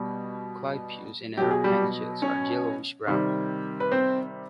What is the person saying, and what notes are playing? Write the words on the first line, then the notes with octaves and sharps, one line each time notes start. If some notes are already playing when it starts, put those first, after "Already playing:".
Clypeus and other appendages are yellowish brown.
Already playing: B2 G3
B2 F#3 G4
G#4
G3 G4
C#4 C#5
C3 D#3 G3
B4
C4 C5